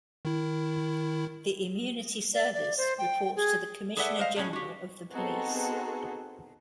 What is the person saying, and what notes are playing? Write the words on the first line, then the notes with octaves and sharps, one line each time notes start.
The Immunity Service reports to the Commissioner General of the Police.
D#3 E4
D5
D5
C5
G5
G#4
G#4 A4 B4 D5 E5 F#5
C5 D#5 F5
A2 G#3 C#4 G#5
F#4 G4
B3 C4 D#4 F#4 G#4 A4